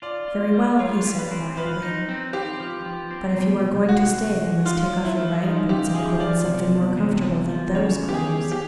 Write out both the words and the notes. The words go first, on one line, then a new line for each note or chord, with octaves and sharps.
"Very well," he said quietly, "but if you are going to stay you must take off your riding-boots and put on something more comfortable than those clothes."
F4 D5
F4
G3
F4 C#5
G3
B4
C4
F3 B4
D#4
C4
C4 G4
F3
F3
C4
B2
C2
C2 F#4
C2
G#3
F3 F4
F3
E4
A3
F3 D#4
C#3 G4
F3 G#4
F3 D5
C3
E2
C3
E2
F3
C#3 C#5
E2
G4
G#4
E2
G4